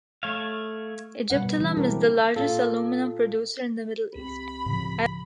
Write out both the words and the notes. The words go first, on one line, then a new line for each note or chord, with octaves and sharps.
Egyptalum is the largest aluminium producer in the Middle East.
A3 C#5 F5
B2 G3 B4 F#5
C#3 E3 D4
B2 F#3 C4 E4 G4 A#4
A#2 F4 A4
C#2 C4 G4 B5
A2 C#3 F3